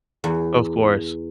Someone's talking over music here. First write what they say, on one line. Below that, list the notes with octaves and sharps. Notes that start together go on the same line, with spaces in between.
Of course.
E2